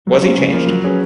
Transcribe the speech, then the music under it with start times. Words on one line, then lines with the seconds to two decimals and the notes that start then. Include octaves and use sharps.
Was he changed?
0.07 F#3
0.22 C#4 F4
0.38 C#3
0.53 F3 A#3
0.68 F#3
0.84 C#4 G#4 B4